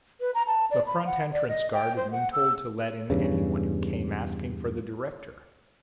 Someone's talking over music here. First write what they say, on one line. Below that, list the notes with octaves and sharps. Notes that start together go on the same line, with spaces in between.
The front entrance guard had been told to let in anyone who came asking for the director.
B4
A#5
A5
D5
B5
F#5
D5
D#5
G5
C5
F#5
E6
E2 G2 C#3